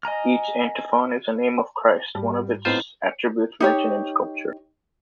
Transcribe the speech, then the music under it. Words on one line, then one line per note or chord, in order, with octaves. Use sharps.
Each antiphon is a name of Christ, one of his attributes mentioned in Scripture.
D#5 G#5 A#5 F6
G#2 G3
A2 B3 C4 D#4 F4 C5
D#4 G4 C#5